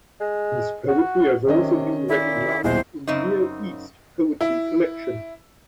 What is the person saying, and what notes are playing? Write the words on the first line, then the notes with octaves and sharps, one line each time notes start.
His poetry has also been recognized in Near East poetry collections.
G#3
F#4
C3 D#3 C#4 D#5
A#2 E4
D#1 B1 G#3 E4 C5
F#2 C#3 C4 D#4
E4